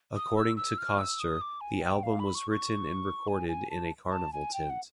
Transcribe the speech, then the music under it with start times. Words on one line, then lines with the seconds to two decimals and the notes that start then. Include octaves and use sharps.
According to Koster, the album was written and recorded in a carnival tent.
0.16 D#6
0.37 E6
0.57 E6
0.78 F6
0.98 E6
1.20 D#6
1.41 D6
1.61 G#5
1.82 G5
2.03 F5
2.19 B5
2.35 C#6
2.51 C#6
3.28 G#5
3.49 G#5
3.70 A5
4.11 A5
4.33 G#5
4.54 G5
4.70 F#5